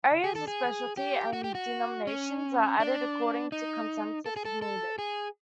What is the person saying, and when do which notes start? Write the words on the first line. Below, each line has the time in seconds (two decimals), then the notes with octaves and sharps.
Areas of specialty and denominations are added according to consensus, as needed.
0.24 G#4
0.35 A4
0.48 G#4
0.97 G4
1.33 F#4
1.44 G4
1.55 F#4
2.07 C#4
2.80 D4
3.52 D#4
4.26 A4
4.36 G#4
4.45 A4
4.62 A4
4.99 G#4